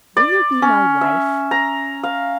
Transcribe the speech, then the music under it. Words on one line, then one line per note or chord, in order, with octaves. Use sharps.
Will you be my wife?
D5
C#4
E5
A#5
F5